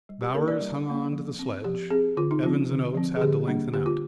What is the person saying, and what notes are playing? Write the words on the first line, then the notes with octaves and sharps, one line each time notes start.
Bowers hung on to the sledge, Evans and Oates had to lengthen out.
G3
G4
A#3 D4 A#4
D5
G3
A#3 D4
F3
C4
F3 G4
C4 G#4
D3 F4
D#4
F3 C4 F4
D3
F3 C4
G#4
D3 G4
G3 A#3 D4
D3 G4
F4